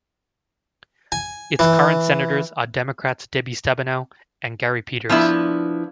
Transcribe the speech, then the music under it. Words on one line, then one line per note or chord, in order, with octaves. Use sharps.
Its current Senators are Democrats Debbie Stabenow and Gary Peters.
G#5
E3
F3 B3 D4 E4